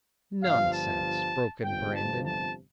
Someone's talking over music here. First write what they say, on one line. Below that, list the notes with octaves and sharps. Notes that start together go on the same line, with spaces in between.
"Nonsense!" broke in Brandon.
G1 G2 F3 F5
A5
G1 F2 C3 F3 G5
A5
A5